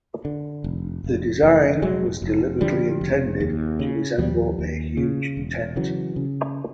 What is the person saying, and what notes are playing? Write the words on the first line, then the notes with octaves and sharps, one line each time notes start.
The design was deliberately intended to resemble a huge tent.
D3
F1
F1
F1
F1 F#3 G#3
F1
D3 F3 G3
F1
D#2
C#3
D#2 F3 G3
D#2
C#3
E1
C#3 E3 F#3
C#3